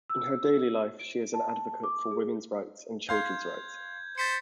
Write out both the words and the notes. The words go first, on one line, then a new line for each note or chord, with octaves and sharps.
In her daily life she is an advocate for women's rights and children's rights.
E6
D7
A5
D6
G#4
F5 C6 G6 G#6
C5 A6 B6 C#7